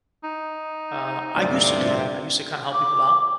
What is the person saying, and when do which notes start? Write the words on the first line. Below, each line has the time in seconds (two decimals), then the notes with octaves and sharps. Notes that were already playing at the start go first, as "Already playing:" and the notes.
uh, I used to do that, I used to kinda help people out,
0.24 D#4
1.36 D2 G2 C3 D5
2.73 D6